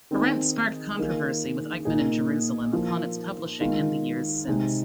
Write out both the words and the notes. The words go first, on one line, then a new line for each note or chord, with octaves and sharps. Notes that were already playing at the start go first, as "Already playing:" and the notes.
Arendt sparked controversy with "Eichmann in Jerusalem" upon its publishing and the years since.
D#3 C4 D#4 G#4
D#3 A#3 F4 G#4
A#2 A#3 D#4 G#4
F3 A#3 F4
D#3 G#3 F4 G#4
C3 G#3 D#4 G#4